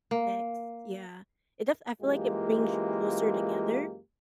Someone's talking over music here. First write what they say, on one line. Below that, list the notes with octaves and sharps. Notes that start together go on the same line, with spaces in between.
text, yeah. It def I feel like it brings you closer together
A#3
F#2 E3 G#3 A#3 F4 G4